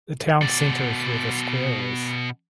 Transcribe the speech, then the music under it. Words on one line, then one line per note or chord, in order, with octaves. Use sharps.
The town centre is where The Square is.
B2 D5